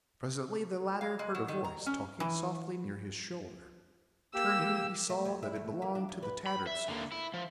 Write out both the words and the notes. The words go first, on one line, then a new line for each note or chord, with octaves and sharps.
Presently the latter heard a voice talking softly near his shoulder. Turning he saw that it belonged to the tattered soldier.
F5
G#3
F#3
D#3
A#5
C#4
E3
A#3 G4 E6
A3
F2
E4
A3
A#3
D4
F#2
B4
B5
E5
D3 A#3
E4
F3